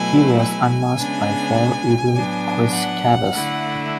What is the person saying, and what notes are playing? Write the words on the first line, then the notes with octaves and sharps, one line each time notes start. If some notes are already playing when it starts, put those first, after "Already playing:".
He was unmasked by "War Eagle" Chris Chavis.
Already playing: B2 F#3 A3 E4 G#5
G#5
C#3 G#3 B3 D4
A2 F#3 B3 D4
F#5
D3 A3 E4